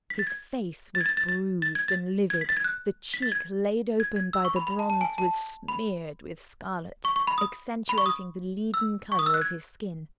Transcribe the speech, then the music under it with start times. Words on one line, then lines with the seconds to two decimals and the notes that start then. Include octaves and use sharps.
His face was bruised and livid; the cheek laid open by the bronze was smeared with scarlet, accentuating the leaden colour of his skin.
0.10 B6
0.19 A6
0.27 G#6
0.95 A6
1.01 G#6
1.06 A6
1.17 A6
1.29 A6
1.62 A6
1.75 G#6
1.88 A6
2.30 G#6
2.41 B6
2.49 A6
2.57 G#6
2.64 F#6
3.14 B6
3.22 A6
3.32 G#6
4.00 G#6
4.16 G#6
4.33 E6
4.45 C#6
4.56 B5
4.67 B5
4.79 A5
4.90 A5
5.01 G#5
5.18 A5
5.68 B5
7.05 C#6
7.16 C#6
7.27 B5
7.38 D#6
7.89 B5
7.98 C#6
8.06 D#6
8.74 E6
9.12 C#6
9.19 D#6
9.26 E6
9.34 F#6
9.42 G#6